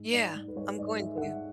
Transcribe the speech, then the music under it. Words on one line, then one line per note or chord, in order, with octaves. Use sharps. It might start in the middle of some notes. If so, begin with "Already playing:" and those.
Yeah, I'm going to.
Already playing: G#2 G#3
G#2 D5
G#2
B4
G#3 C#5
G#2 D5
G#3 E5
F#5
G#3 E5